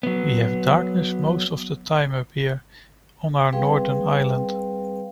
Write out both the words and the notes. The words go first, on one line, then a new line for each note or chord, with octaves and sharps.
We have darkness most of the time up here, on our northern island.
F#3 B3
G3 C4 G#4 B4 F5 G5